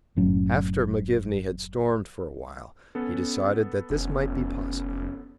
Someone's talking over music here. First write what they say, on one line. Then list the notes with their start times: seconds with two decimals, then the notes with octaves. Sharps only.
After McGivney had stormed for a while, he decided that this might be possible.
0.16 F#1 A2 F#3 C#4
2.95 B3 C#4 A4
3.90 F1 C#4